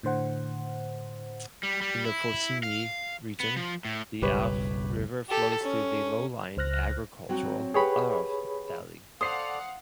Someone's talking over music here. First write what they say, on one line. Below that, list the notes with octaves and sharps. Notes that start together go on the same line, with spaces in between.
In the Faucigny region, the Arve River flows through the low-lying, agricultural Arve Valley.
A2 D3 C5 F#5
G3
G3
E4
F5
B3
F3
A2
F#1 B1 G3 G4 B4 C#5
G4 A4
C#4
C#2 C5 F6 F#6 A#6
F#3 C4 F#4
G4 G#4 B4 C#5 F#5 B5
A4 C5 D5 F5 F#5 D#6 C7